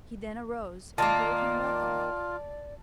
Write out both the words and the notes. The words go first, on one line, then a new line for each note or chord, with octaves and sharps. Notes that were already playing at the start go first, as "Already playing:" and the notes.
He then arose, and gave him welcome.
D#3 A#3 F4 D5 A5